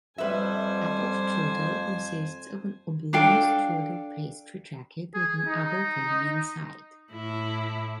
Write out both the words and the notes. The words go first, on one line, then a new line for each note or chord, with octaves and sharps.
Apple strudel consists of an oblong strudel pastry jacket with an apple filling inside.
F2 G3 B4 C5 E5 G#5
D4 A4 F5 G5
G#4
D#4
A2 E4